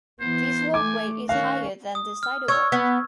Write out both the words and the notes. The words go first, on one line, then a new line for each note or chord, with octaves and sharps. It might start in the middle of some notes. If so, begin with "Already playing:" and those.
This walkway is higher than the sidewalk.
E3 B3 C5
A3 G#5 D6
D#3 C#4 F#4 F5
D#6
F6
C#5 C#6 E6 G#6
B3